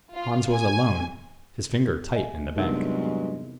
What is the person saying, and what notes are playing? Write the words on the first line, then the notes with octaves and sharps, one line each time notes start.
Hans was alone, his finger tight in the bank.
F4
G#5
D#5 E5 G#5
E2 G2 C3 F#3 G#3 D#4 A#4